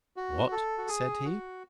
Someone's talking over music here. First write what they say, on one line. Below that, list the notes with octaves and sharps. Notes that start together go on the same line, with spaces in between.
"What?" said he.
F#4
A4
F#4
G#4
F#4